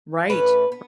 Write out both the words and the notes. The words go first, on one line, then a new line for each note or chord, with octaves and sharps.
Right. R
A2 E3 A3 C#4 B4
B3